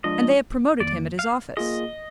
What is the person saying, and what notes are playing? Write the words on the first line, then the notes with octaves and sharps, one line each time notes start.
"And they have promoted him at his office."
F3 G#3 D4 F4 D#5
F2 D#3 A#3 D5
F5
A#3 F4 G#4 D#5